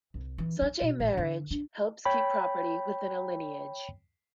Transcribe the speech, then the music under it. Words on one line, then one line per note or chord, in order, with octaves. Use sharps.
Such a marriage helps keep property within a lineage.
C2
E3
D#4
B2
A1
D3
D4
C#5 G5 B5